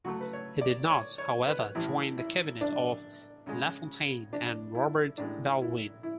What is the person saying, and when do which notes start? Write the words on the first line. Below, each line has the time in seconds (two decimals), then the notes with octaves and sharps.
He did not, however, join the cabinet of Lafontaine and Robert Baldwin.
0.04 C#2 C#3 F#3 A3 F#4
0.21 B4
0.33 C#5
0.61 D5
0.90 C#5
1.18 C#5
1.47 B4
1.75 A1 A2 E3 E4
2.18 E4
2.61 D4
3.46 C#2 C#3 G#3
4.33 D4
4.75 E4
5.18 A1 A2 G#3 D4
5.62 E4
6.03 E4